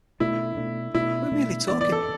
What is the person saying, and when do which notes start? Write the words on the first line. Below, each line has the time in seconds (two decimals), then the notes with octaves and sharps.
We were merely talking.
0.20 B2 A3 D4 E4
0.57 B2 A3 D4
0.95 B2 A3 D4 E4
1.31 B2 A3 D4
1.68 E3 B3 D4 D5
1.81 D5
1.92 A4